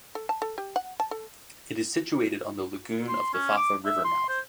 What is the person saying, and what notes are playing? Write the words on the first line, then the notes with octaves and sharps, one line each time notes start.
It is situated on the lagoon of the Fafa River mouth.
A4
A5
A4
G4
F#5
A5
A4
C6
C#4
D6
E5
C6
C5